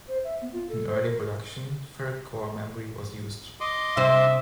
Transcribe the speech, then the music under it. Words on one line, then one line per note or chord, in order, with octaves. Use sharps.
In early production, ferrite core memory was used.
C5
E5
B3
F4
A4
C5
A#4
D#5 C6 D6
C3 C5 E5